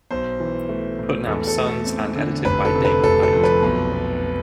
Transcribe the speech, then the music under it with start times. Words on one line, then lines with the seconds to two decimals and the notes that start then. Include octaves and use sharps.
Putnam's Sons and edited by Damon Knight.
0.11 B1 C5
0.40 E3
0.69 A3
0.99 A2
1.28 E2 A4
1.47 A4
1.57 A3
1.67 A4
1.86 C4
2.16 D3
2.45 F1 B4
2.65 A4
2.75 C3
2.85 B4
3.04 F1 A4
3.23 A4
3.33 F2
3.43 B4
3.63 B1
3.91 B3